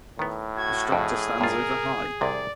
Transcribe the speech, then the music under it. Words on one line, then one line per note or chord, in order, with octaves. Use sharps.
The structure stands over high.
A2 D#3 B3
F#4 G#6
F2 G#4
G2 F4 A#4
C2 C3 D5